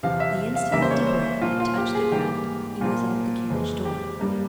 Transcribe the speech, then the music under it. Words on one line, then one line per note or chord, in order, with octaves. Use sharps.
The instant Debray had touched the ground, he was at the carriage-door.
E2 C3 F3 F5
E5
F5
C#2 C#3 E3 G3 A#3 E5
C5
C#5
C5
A#2 F3 A#3 F4
F4
G4
G#4
G#2 E3 G3 A#3 G4
A#2 F3 A#3 F4
F2 E3 G#3
G4
G2 G3 A#3